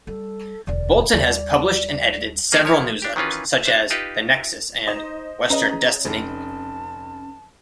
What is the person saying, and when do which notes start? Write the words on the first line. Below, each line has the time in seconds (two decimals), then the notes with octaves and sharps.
Bolton has published and edited several newsletters such as "The Nexus" and "Western Destiny".
0.07 G3 A4
0.67 E1 D2 D5
1.13 D#2 G3 D5
2.52 A#3 G#4 A4 C5 D5 F5
2.65 F3 E4 C#5
3.02 D4 G4
3.16 D#3 E3 C#4 F4 B4
3.63 D4 C5 E5
3.90 D#4 F4 G4 B4
4.86 D#4 C5 D#5 E7
5.50 C#4 G#4 B4 D#5 A#5
6.05 F1 A5